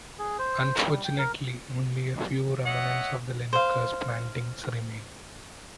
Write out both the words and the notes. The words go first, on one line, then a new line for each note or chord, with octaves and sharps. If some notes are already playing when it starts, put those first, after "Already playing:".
Unfortunately, only a few remnants of the Linaker's plantings remain.
G#4
C5
G3
G5
A#4
C#5 D#5 E5 F#5
C5 F5